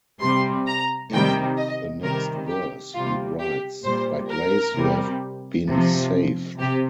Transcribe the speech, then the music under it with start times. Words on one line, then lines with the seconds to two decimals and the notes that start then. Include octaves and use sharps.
In the next verse he writes, by grace you have been saved.
0.22 C3 G3 C6
0.67 A#5
1.13 C3 D#3 G3 G5
1.57 D#5
2.03 C3 D#3 G3 A#4
2.49 G4
2.95 C3 G3 F4
3.39 G4
3.85 A#2 G3 C5
4.31 A#4
4.77 C3 G3
5.67 C3 F3
6.58 C3 G4